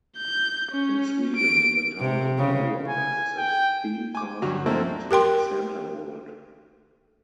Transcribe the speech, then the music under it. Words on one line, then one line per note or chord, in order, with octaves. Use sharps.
In Sweden, the town of Mora has a theme park named "Santaworld".
G6
C#4
D7
C3
C#3
G#5
G5
G#5 D6
D2 G2 F#3 F#4
F3 A#3 C4 D4 E4 A4
G4 A#4 G5 C6